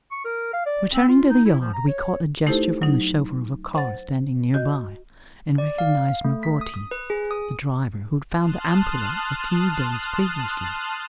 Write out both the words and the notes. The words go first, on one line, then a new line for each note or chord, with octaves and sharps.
Returning to the yard, we caught a gesture from the chauffeur of a car standing near by and recognized McGroarty, the driver who had found the ampulla a few days previously.
C#6
A#4
F5
D5
C4
F4
D#4
E4
F3
A#5
C#5
A3 D#4 E4 G4 A4 C5
F#3 D#4
C5 F#5 A6
F#4 D#5 G6
D5
F5
A3
B6
D#6
D#6
B4
G#4
D#6
A5 C6 D#6 F6 F#6